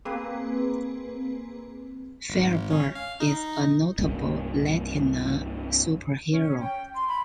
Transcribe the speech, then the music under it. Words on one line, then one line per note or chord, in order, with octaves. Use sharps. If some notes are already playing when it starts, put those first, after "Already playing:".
Firebird is a notable Latina superhero.
A#3 C4 G#4 B4
G#1
C#4
F5
D#4
C2 G2 A#3 C#4
C#4
G5
C6
B5